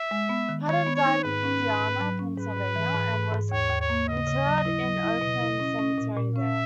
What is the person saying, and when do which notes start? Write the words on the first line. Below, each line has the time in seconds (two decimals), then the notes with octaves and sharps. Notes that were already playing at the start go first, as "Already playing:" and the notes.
Patton died in Indiana, Pennsylvania and was interred in Oakland Cemetery there.
Already playing: E5
0.11 G#3
0.29 B3
0.49 D#3
0.67 D#3 C#5
0.87 B3
0.95 C#5
1.05 D#4
1.24 G#2 B4
1.43 C#4
1.62 G#2
1.81 G#2
2.00 F#3
2.19 C#4
2.38 G#2 B4
2.57 G#2
2.76 E3
2.95 G#2
3.14 G#2
3.32 G#2
3.51 D#2 C#5
3.70 D#2
3.80 C#5
3.90 A#3
4.09 C#3 D#5
4.27 C#3
4.47 F#3
4.65 E4
4.84 F#3
5.03 E4
5.21 B2
5.41 E4
5.60 C#4
5.79 C#4
5.98 A#2
6.17 A#2
6.36 C#4 E5